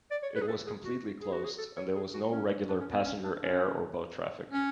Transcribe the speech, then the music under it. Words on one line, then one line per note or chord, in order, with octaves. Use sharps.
It was completely closed, and there was no regular passenger air or boat traffic.
D5
C#5
B4
G#4
A4
G#4
F#4
G#4
F#4
G#4
A4
C#5
G#4
F#4
C#4
D4
C#4
B3
C#4
D4
C#4
C#4